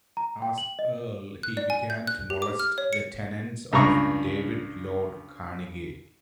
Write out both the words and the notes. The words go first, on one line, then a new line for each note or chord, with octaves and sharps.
As earl he began to molest the tenants of David Lord Carnegie.
A#5
G5
F#7
D#5
F#6
D5
G#5
G6
F#6
G4
D6
F6
C#5
C#7
C#2 G2 A#5 C#6